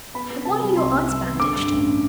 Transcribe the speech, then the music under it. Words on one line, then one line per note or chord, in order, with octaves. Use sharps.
'And why are your eyes bandaged?
B3 B5
B3
C3 A5
G3
C2 C6
C3
G3 E6
B3
D3 D6
G2
A1